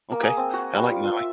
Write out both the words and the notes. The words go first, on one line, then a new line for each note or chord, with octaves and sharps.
Okay. I like Maui.
A#3
G#4
C4
F#4
G3
F4
F4
E5